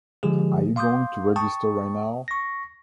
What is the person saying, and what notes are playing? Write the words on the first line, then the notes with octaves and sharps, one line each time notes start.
Are you going to register right now?
D3 F3 G#3 G4 G#4
F5 C6 D6 D#6 G6
G5 A5 C#6 D#6
C#6 A#6